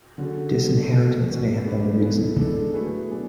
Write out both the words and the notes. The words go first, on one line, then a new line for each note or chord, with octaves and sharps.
Disinheritance may have been the reason.
D3 F#3 C#4 G#4
D3 G#3 B3 F#4 A4
E3 B3 F#4 A4
F#3 C#4 F#4
A3 D4 G#4 B4
E3 B3 E4 A4
B2 G#3 D4 A4
F#3 A3 E4 G#4 B4
B2 F#3 B3 D4 G#4